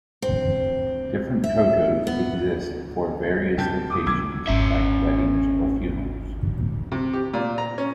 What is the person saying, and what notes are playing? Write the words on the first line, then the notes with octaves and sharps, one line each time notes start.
Different kotos exist for various occasions like weddings or funerals.
C4
E5
B3
F#2 C3 G5 A5 G6
D6 D#6
B1 D#3 D6 E6 G#6
G#1 F2 C#4 E5
C3
G4
A#2
A#5
C#4